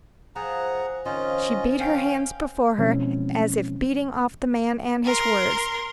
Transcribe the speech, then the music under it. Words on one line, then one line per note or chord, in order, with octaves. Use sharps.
She beat her hands before her, as if beating off the man and his words.
F3 G#4 F#5 A#5
D#3 F3 C4 C#4 F4 D#5
C#4 F5 G5
B2 E3 F3 G#3 C4 C#4
A#4 C6